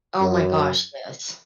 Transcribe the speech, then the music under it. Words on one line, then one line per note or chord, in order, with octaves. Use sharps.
Oh, my gosh, yes.
F#2